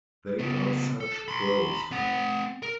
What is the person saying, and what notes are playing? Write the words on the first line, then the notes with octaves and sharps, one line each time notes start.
They are such pros.
C#3 B3
A4
B5 C6
C4 F#5
A#4